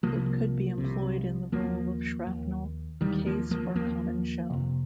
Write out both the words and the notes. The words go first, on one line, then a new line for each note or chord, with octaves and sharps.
It could be employed in the role of shrapnel, case or common shell.
C2 C3 F3 A#3
C2 C3
D#2 F3 A#3
D#2
D#2 D#3 G3
F3 A#3
F3 A#3
D#2 F3 A#3
F2 C3